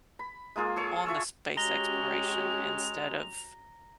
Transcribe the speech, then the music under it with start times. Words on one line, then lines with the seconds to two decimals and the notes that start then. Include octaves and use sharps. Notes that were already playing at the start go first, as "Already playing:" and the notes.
on the space exploration instead of
0.19 B5
0.56 G#3 A#3 F4 G#4
0.76 G#4 A4 C#5 G#5
1.06 F4 E5 C#6 E6
1.57 G#3 C#4 F#4 G4 A#5 A#6 F7 G7